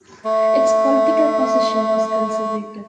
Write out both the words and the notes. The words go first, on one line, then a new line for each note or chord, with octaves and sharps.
Its political position was Conservative.
A3 E5